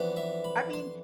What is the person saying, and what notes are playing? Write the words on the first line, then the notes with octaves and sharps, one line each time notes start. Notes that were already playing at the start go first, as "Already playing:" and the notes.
I mean,
Already playing: F2 E3 B3 D4
E5
B5
C6